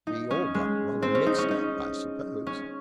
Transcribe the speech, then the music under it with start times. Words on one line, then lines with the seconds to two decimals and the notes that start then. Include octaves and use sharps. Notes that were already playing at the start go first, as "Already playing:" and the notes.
We all got rather mixed up, I suppose.
0.07 D#4
0.31 C#4
0.54 G#3
1.02 C4
1.15 C#4
1.26 D#4
1.38 C#4
1.51 D#4
2.47 C#4